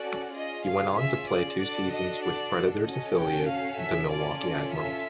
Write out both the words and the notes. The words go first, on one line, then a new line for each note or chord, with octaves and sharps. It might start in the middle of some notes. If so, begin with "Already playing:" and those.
He went on to play two season's with Predators affiliate, the Milwaukee Admirals.
Already playing: C#4 F#4 A4 D5
C#4 F4 G#4 D#5
F5
E5
D5
D4 F#4 A4 D5
D#5
D5
C#4 F#4 A4 D#5
G5
F5
E5
C#4 F4 A4 D5
E5